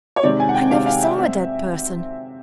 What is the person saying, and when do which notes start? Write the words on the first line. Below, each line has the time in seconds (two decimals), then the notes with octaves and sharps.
'I never saw a dead person.
0.16 C#5
0.23 C3 D#3 G#3 C4 D5
0.40 G#5
0.49 F#5
0.55 G5
0.71 C3 D#3 G#3 C4 F5
0.86 F5
1.03 E5
1.18 C4